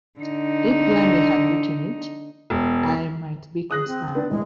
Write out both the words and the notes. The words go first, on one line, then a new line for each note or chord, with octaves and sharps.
If Lemmy had written it, I might be concerned.
D3 D#4
E1
G#4 D#6 F#6 A#6
C4
B3 D4
E1 A2 G#3